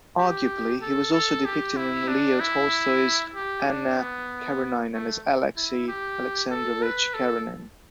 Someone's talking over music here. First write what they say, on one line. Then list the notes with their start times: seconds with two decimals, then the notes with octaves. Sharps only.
Arguably he was also depicted in Leo Tolstoy's "Anna Karenina" as Alexei Alexandrovich Karenin.
0.18 G4
0.82 A4
1.13 A4
1.45 G4
1.77 E4
2.08 D4
2.40 E4
3.35 G4
3.66 D4
3.98 B3
4.93 A3
5.56 E4
5.88 G4
6.51 A4
6.83 B4
7.14 A4